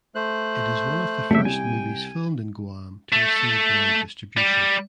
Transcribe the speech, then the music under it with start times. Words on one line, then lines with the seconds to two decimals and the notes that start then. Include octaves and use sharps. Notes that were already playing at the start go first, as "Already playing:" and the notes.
It is one of the first movies filmed in Guam to receive wide distribution.
0.15 A3 C5 F#6
1.31 F#1 C2 A#2 A3 E5 G5
1.45 C2 G#5
3.12 A3
4.37 G3